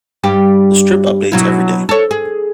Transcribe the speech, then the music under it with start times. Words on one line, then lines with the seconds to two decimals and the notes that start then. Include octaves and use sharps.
The strip updates every day.
0.23 G2 G3 G4
1.32 B2 F#3 E4
1.89 A4 C#5
2.11 G#4